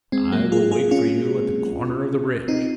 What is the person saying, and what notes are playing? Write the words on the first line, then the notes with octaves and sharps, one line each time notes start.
I will wait for you at the corner of the bridge.
G#3 C4
F#3 A#3
F4 G#4
F4 G#4
C#4 F4
C4 D#4